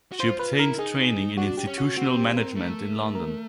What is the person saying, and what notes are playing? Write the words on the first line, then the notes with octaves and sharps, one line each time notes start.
She obtained training in institutional management in London.
F#4
F4 C5
F4 B4
E4 A#4
D#4 G#4
D4 F#4
G4
C#4
F#4
C4 F#4
G4
A#4
A3
A#4